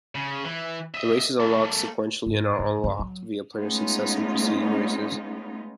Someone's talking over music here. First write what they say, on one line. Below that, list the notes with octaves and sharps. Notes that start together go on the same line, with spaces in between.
The races unlock sequentially and are unlocked via player success in preceding races.
C#3
E3
D#5 E5
A#3 A4
G#2
G#2
G2 F#3
F#3
G#3 A3 B3 C#4 D#4 F4